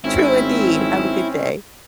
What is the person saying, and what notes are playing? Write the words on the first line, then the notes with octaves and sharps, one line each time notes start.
True indeed. Have a good day.
G#1 C4 C#4 E4